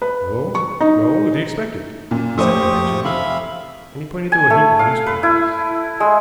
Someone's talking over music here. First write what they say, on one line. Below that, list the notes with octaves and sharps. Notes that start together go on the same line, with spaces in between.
"No, no; the expected," he said impatiently, and he pointed to a heap of newspapers.
B4
C#6
D#4
F#2 A#2
A#1 A3 G4 C5 C#6 D#6
F1 E5 F5 B5
G#5
A3
F5
B4
E4
G#3